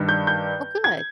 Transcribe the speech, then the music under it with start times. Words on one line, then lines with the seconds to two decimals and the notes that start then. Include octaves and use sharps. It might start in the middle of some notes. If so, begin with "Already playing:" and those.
Oh, good.
Already playing: G2 D#3 G3
0.09 G6
0.27 G6
0.84 G#6